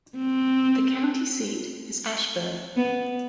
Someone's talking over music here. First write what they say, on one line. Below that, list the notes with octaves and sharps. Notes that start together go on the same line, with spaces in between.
The county seat is Ashburn.
C4
B3